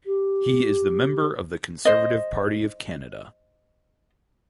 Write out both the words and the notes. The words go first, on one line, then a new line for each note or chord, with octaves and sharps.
He is the member of the Conservative Party of Canada.
G4
C5 D#5